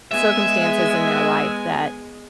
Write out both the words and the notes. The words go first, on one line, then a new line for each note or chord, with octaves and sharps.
circumstances in their life that,
G#3 B3 E5 G#5